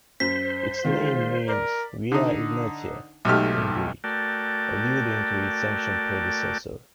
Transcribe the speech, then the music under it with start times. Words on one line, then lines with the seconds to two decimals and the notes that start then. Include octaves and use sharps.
Its name means "Via Egnatia" in Greek, alluding to its ancient predecessor.
0.20 F#2 C5 B6
0.85 D#3 G#3 F4
1.48 A#4 D5
2.12 D3 D#4
3.25 B1 G#2 A3 G4 F6
4.04 A3 F#4 A#4 D5 G5 A5